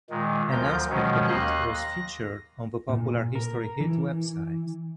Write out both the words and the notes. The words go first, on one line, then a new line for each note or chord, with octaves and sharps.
An aspect of it was featured on the popular History Hit website.
A#2 D#3 G#3
D2 F3 F4 A#4 G6
B2 D#3 F3 F#3 G#3 C#4
D#2 D#5 F5 C6 F#6
A#6
A#2
A#4
E3